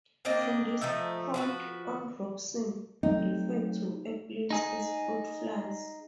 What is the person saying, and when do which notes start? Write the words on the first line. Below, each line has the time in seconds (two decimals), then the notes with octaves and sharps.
From this point on Robinson referred to airplanes as fruit flies.
0.25 A#3 C4 D4 D#5
0.81 F3 A3 D#4 E5
1.34 F3 F#4 B4
3.03 F#3 A3 C4 D#4
4.50 D#4 G#4